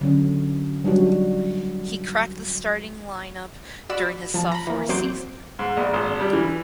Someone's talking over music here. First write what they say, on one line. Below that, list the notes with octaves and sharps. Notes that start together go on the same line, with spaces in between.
He cracked the starting lineup during his sophomore season.
D3 F#3 C#4
F#3 G3 D4 D#4 F#4 C#5
F#4 D5 B5 E6
F3 A5
A#5 B5
E3 A#3
F#3 C4 F#4 C5 D6 G6
G#2
A#1
G#1
G3
E3